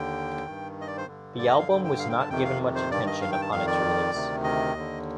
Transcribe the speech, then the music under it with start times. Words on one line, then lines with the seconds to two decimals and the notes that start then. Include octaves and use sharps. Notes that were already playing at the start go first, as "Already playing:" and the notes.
The album was not given much attention upon its release.
Already playing: D#2 D3 G5
0.47 G2 D#3
0.81 D#5
0.88 D5
0.97 C5
1.08 G2 D3
1.38 D5
1.49 D#5
1.59 F5
1.69 G2 D3 G5
1.85 G5
1.99 F5
2.10 G5
2.20 A5
2.30 F2 C3 D#3 G5
2.45 F5
2.75 C5
2.91 G2 D#3 D5
3.07 D#5
3.21 F5
3.32 G5
3.42 A5
3.52 F2 D#3 F5
3.67 D5
4.13 D2 C3 D#3
4.44 D#5
4.74 D#2 D3